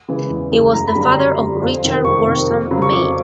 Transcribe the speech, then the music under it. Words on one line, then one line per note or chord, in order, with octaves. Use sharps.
He was the father of Richard Worsam Meade.
C#3 E3 G#3
E2
C#3 E3 G#3
F#2 A#5
B5
D3 G3
A#5
F#2 C6
D3 G3
F2
C3 D#3
F2 C#6
C3 D#3
F2
C#3 F#3
C#6
F2 D6